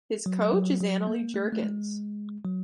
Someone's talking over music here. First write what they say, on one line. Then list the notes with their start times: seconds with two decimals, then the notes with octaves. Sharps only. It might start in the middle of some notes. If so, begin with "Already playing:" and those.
His coach is Annelie Jürgens.
0.26 F#3
0.53 F#3
0.81 F#3
1.07 A#3
1.34 A3
1.53 A3
1.63 G#3
2.45 F#3